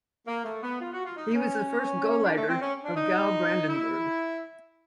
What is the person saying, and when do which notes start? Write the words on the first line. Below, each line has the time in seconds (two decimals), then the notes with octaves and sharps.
He was the first "Gauleiter" of Gau Brandenburg.
0.28 A#3
0.45 A3
0.63 B3
0.81 F4
0.93 F#4
1.05 F4
1.17 D#4
1.34 C#4
2.25 D4
2.37 A3
2.49 C4
2.61 C#4
2.84 D4
2.96 D#4
3.69 E4